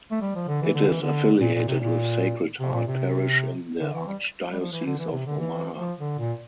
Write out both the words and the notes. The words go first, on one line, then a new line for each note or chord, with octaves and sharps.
It is affiliated with Sacred Heart Parish in the Archdiocese of Omaha.
A3
G3
F3
D3
E3
D3
E3
D3
A#2
A#2
C3
A#2
C3
A#2
C3
D3
E3
G3
G3
F3
E3
D3
E3
C3
D3
E3
F3
D3
A#2